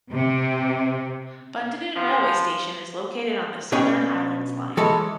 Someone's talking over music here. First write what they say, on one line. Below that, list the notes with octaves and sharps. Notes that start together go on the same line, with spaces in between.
Bundanoon railway station is located on the Southern Highlands line.
C3
C3 E3 F3
B2 C#4 D4 C#5 G#5
E3 G#3 A4 C#5 A5 B5